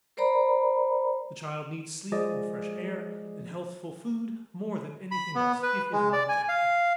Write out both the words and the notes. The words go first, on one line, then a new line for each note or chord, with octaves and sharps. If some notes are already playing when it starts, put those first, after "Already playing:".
The child needs sleep and fresh air and healthful food more than anything else, if his mind is active.
A#4 C5 D5 A#5 B5
F3 G#3 G#4 D5 D#5
B5
B3
B4
G#3
D5
G#5
F5